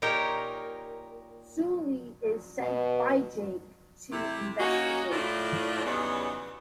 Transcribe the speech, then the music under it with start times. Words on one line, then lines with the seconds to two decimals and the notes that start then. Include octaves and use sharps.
Sully is sent by Jake to investigate.
0.02 A#2 D#4 G4 A#4 C#5
2.60 B2
4.12 C3 A3 E4
4.59 A#3 C#4 D#4 F#4
5.12 A2 A3 A#3 D4 E4 F4
5.86 E2 C#3 F#3 G3 B3 D#4